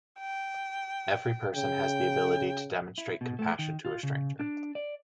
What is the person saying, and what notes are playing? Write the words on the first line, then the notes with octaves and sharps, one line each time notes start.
Every person has the ability to demonstrate compassion to a stranger.
G5
C#3 G5
E4
B2
A3
D#3
F4
C#3
D4
D5